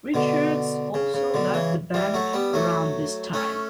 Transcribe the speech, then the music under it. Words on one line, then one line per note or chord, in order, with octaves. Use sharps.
Richards also left the band around this time.
B2 D3
C#3
C#3
B2 D3
C#3 E3
E3 G3
F#3 A3
G3 B3
F#3 A3
A3 C#4